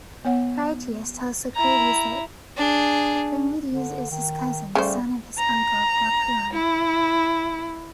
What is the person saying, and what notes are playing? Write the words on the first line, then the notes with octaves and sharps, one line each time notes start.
Critias tells Socrates that Charmides is his cousin, son of his uncle Glaucon.
B3 C#5 F#5
E4 A#5
D4 G#4
D3
D#3
C#3 G3 A3 C5
A#5
E4